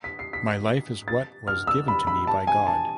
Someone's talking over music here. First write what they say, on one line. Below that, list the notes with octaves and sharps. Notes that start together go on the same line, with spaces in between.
My life is what was given to me by God.
B6
C7
B6
A6
F6
E6
B5
B5
A5
G#5
A5